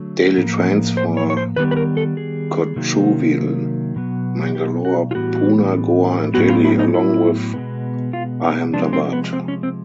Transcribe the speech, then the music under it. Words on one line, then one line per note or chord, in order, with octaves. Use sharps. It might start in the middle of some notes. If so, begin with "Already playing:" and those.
Daily trains for Kochuveli, Mangalore, Pune, Goa and Delhi along with Ahemdabad.
Already playing: D3 F#3 A3
A2 F3 A#3
C5
C#5
C#5
C5
D#3 G3 B3 B4
B4
A#4
A4
G#4
C3 D#3 F#3 A#3
B2 F#3 B3
G4
F#4
F4
A2 E3 G3 B3 F#4
A2 F#3 B3 F#4
F4
E4
D#4
E4
B2 G#3 B3
F4
D#4
C3 F3 G#3 B3 D4
C4
B3
C4
C#4
C4